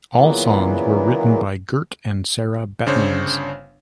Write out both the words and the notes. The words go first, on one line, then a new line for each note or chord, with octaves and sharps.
All songs were written by Gert and Sarah Bettens.
A#2 C#3 E3 F#3 A#3 B3
G1 C#3 D4 C5 C#5